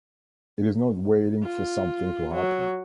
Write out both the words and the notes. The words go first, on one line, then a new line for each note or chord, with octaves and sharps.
It is not waiting for something to happen.
F4
F#3